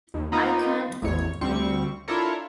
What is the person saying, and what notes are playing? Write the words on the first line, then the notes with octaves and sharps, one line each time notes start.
I can't go!
D#2
A#3 B3 D#4 F4
A1 E2 C#5
D2 G3 C4 C#6
D4 E4 F4 A4 A#4 C#5